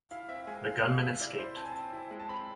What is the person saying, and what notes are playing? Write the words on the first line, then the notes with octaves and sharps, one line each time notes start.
The gunmen escaped.
E4 F5
C4 E5
G#3 G#5
G#3 F5
G#3 F5
C3 E5
E4 D5
E4 C5
C4 A5
G#5
C4 A5
E4
G#3
A5
C4 B5